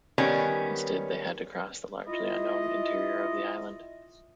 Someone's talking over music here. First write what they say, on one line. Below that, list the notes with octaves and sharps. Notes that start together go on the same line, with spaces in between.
Instead they had to cross the largely unknown interior of the island.
D#3 G3 B3 C#4
E4 F4 D#5